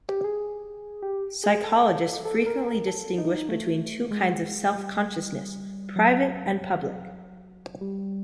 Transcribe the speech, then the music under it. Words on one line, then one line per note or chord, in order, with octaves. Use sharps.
Psychologists frequently distinguish between two kinds of self-consciousness, private and public.
G4
G#4
G4
G#4
A4
A4
A#4
A#4
A4
D#4
A3
G#3
G3
F#3
G3